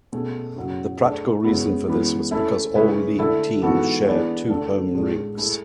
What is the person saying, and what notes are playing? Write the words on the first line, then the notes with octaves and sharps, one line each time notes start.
The practical reason for this was because all league teams shared two homes rinks.
B2 A3 C#4 G#4
F#2 C#3 F#3
A3 D4 G#4
F#2 C#3 G#3 B3 E4
F#2 E3 G#3 B3
A3 C#4 E4 A4 E5
C#3 G#3 C#4 E4 B4
D3 A3 E4 A4 E5
G#2 E3 B3 F#4 A4
E3 B3 D4 G#4 D5
D3 A3 D4
A2 G#3 D4
A3 E4 G#4